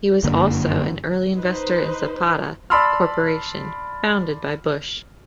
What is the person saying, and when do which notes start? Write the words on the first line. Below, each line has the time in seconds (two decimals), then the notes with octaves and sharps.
He was also an early investor in Zapata Corporation, founded by Bush.
0.23 G1 F#2 D3 A#3
1.35 D#4 B4 C5
2.70 D5 A5 B5 C6 E6 F6